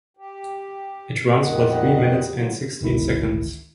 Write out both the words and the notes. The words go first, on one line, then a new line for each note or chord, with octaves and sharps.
It runs for three minutes and sixteen seconds.
G4
F2 A#2 D#3 G3 D#5 F#5
A2 D3 F3 F#3
G1 C#2 D#3 E4